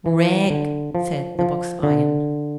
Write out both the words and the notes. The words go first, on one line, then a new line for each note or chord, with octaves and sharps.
"Rag!" said the box-iron.
E3
D3
F3
F3
D3